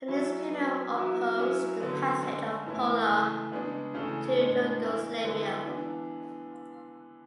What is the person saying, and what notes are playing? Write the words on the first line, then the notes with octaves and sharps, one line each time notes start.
The newspaper opposed the passage of Pola to Yugoslavia.
F#3 C#4 E4
F#3 B3 D4
F#3 B3 E4
F#3 C#4 E4
D3 F#3 B3
D3 G#3 C#4
A2 E3 B3 E4
C#3 E3 A3
C#3 G#3 B3 D4
C#3 E3 A3 C#4
A2 G#3 D4
E3 B3 E4
D3 G#3 B3 E4
E3 B3 D4